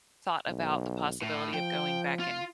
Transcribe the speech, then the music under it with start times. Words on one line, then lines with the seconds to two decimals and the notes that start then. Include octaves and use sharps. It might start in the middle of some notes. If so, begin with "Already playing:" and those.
thought about the possibility of going back and
0.48 B1
1.22 A2
1.54 F3 G5
2.20 F4